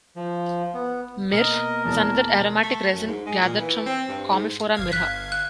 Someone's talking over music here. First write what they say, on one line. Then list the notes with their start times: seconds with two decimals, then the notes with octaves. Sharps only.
Myrrh is another aromatic resin gathered from "Commiphora myrrha".
0.16 F3
0.74 B3
1.32 B2 A#3 A#4 D#5
1.85 E1 E2 A5
2.63 A3
2.93 F#2
3.07 G#2
3.26 G#3
3.41 A#2
3.57 E3
3.86 C4
4.08 G2
4.30 G#2
4.75 G1 F5 G#6
4.92 F#6 B6
5.32 F#6